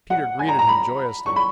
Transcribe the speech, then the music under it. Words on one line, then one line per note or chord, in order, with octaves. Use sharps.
Peter greeted him joyously.
F#5
G#5
A#5
A#5
B5
C#6
B5